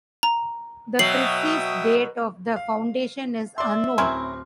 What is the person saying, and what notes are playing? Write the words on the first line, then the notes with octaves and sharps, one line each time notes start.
The precise date of the foundation is unknown.
A#5
B2 F#3 E5 G5 D#6 C7 F#7
F5
D5 E5 C6
D1 C4 C#4 E4 A#4 B5 C6 F6